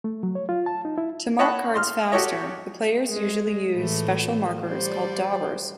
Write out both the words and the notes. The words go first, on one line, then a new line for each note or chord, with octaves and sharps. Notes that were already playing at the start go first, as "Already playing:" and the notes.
To mark cards faster the players usually use special markers called "daubers".
A3
F#3
C#5
F4
A5
D#4
E4
C#5 D#5 F#5 A5 B5 C#6
D#5 C6 F6
F#4 G4 A4 C#5 D#5
G#3
A2 E3 A3
G3 C5 D5